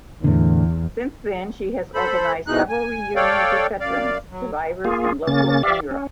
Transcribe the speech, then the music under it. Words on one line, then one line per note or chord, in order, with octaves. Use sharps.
Since then, she has organized several reunions of veterans, survivors and locals in Europe.
E2 A2 D3
A4 C5 B5
G#2 B2 E3 G#3 D#4 F#6
G#5
A4 C#5 D5 F5 G5
F#2 D5 F5
F#3
A#3 F4 G#4
C#3 A#3 C#4 A6
G4 D5 E5 F5
C#4